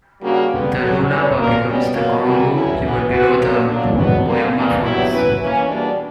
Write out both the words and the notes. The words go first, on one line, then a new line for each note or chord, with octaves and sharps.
The Lualaba becomes the Congo River below the Boyoma Falls.
C#3 G3 A#3 D4 F#4
D3 G3 B3
F#2 D3 F#3
E3 G3 C#4
A#2 A#3 D4 A#4
B2 G3 C#4
A#2 F#3 A#3
E3 G3 B3 F#4 A#4
G2 F#3 C#4 E4
F#2 E3 B3
E3 B3 F#4 B4
F#2 D3 F#3 A#3
F#3 A#3 D4
B2 F#3 B3 D4
F#2 D3 G3 A#3
G2 E3 A#3 D4
G2 F#3 B3 E4 G4
F#3 C#4 E4 B4
E3 A#3 C#4
E2 B2 G3 A#3 D4